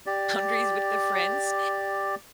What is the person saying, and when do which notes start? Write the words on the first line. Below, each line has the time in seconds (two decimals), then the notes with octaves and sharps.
boundaries with the friends.
0.06 G4 D5